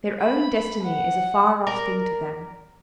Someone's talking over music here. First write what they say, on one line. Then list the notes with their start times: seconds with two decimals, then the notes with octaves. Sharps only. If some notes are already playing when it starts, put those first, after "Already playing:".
Their own destiny is a far-off thing to them.
0.23 B5
0.84 F#5
1.67 A#4 D5